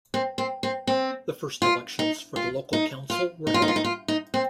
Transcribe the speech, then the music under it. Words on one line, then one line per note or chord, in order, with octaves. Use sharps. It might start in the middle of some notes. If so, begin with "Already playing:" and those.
The first elections for the local council were held.
C4
C4
C4
C4
F4
D#4
F4
D#4
F4
D#4
F4
D#4
F4
D#4
F4
D#4
C4